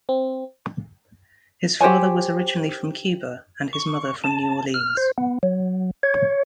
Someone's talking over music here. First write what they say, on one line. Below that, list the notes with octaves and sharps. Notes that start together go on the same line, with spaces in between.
His father was originally from Cuba, and his mother from New Orleans.
C4
G4 C5 C#5 G#5
C#6
A5
F6
C5
B3
F#3
C#5